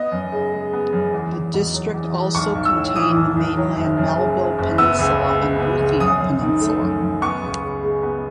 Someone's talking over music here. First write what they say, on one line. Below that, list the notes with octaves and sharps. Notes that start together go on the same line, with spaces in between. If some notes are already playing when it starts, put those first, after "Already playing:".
The district also contained the mainland Melville Peninsula and Boothia Peninsula.
Already playing: B3 D#5
F#2
C#3
G#3
B3
F#2
E2
E2
B2
F#3
E2
E2
B1 C#6
B1
E6
A2
E3 D#6
B1
B1
F#3
F#1
F#2
C#3
F#3
F#1
B3 E6
C#2
C#3
G#3
B3
C#2
F#2 D#6
F#2
D#3
A3
F#2
F#2
B3 C#6
C#2
C#3
G#3
B3